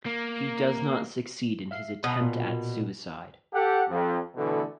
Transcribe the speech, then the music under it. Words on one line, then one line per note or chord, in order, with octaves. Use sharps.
He does not succeed in his attempt at suicide.
A#3
E5 F5 C7
B2 D#6
A#2
G4 A4 F#5
F2
B2 D3 E3 A3